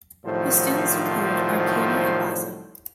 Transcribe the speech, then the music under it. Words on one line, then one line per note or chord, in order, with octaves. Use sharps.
His students included Arkady Abaza.
C2 A2 D#3 F3 F#3 C5